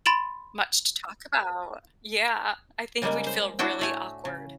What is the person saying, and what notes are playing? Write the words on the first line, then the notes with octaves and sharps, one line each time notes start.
much to talk about. Yeah. I think we'd feel really awkward.
B5 C6 A6 D7 E7 F#7
C#3 G3 G#3 A#3
C5
D4 E4 F#4 G5
A2 A3 G#5
C#3